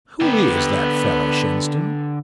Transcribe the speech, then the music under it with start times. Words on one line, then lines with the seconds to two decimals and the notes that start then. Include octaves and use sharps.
"Who is that fella, Shenstone?"
0.21 D3 B3 G4